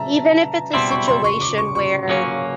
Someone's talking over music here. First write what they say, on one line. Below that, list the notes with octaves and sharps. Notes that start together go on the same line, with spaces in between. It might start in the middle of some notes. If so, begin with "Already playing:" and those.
even if it's a situation where,
Already playing: E5 A5 A#5
B2 G3 C4 E4 C6
C#6
C6
C#6
D6
C#6
C#6
C#3 F#3 A#3 C#4